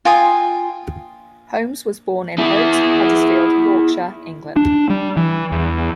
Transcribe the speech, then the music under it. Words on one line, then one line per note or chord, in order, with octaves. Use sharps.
Holmes was born in Oakes, Huddersfield, Yorkshire, England.
F4 G5 G#5 D#6
E4 G#4
D4
G3
E3
E2